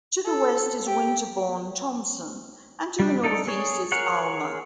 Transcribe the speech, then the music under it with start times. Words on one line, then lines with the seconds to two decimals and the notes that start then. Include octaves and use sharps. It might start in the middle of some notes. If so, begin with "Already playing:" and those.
To the west is Winterborne Tomson and to the north-east is Almer.
0.25 A4
0.87 G4
3.00 G3 D4
3.24 D#4 A4 D5
3.47 G#4 C#5
3.92 G#4 A#4 C#5 F#5